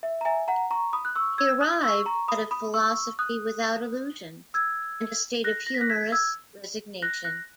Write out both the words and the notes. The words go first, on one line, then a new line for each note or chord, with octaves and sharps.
He arrived at a philosophy without illusions, and a state of humorous resignation.
E5
A#5
E5 G#5
F#5 A#5
A#5 C#6
B5 D#6
F#6
C#6 E6
E6 G#6
D#6 F#6
C#6 E6
A#5 C#6
B5 D#6
B5 D#6
C#6 E6
D#6 F#6
E6 G#6
F#6 A#6
A#6
B6
F#6 A#6
G#6 B6
E6 G#6
F#6 A#6
F#6 A#6